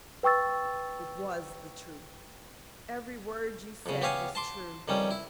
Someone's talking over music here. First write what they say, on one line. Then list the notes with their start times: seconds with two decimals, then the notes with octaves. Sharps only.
It WAS the truth; every word you said was true.
0.23 B4 G5 C#6 E6 A6
3.86 F2 C#3
4.02 B3 G4 C#5 F5 G#5
4.35 A5 C6 D6
4.88 F2 D#3 G3 C#4
5.11 E4